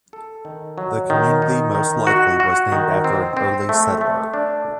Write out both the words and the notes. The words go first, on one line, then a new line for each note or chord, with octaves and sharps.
The community most likely was named after an early settler.
A4
D#3
F#3
D#3
D#4
D#3
F#4
F#4
D#3
C4
C4
A3
A3
D4